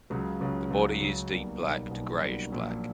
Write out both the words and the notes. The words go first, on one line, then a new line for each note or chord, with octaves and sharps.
The body is deep black to greyish black.
C#2 C#3 F#3
C#2 C#3 F#3
C#2 C#3 F#3
C#2 C#3 F#3
B1 B2 G3 A#3
B1 B2 G3 A#3
B1 B2 G3 A#3
B1 B2 G3 A#3
A#1 A#2 F#3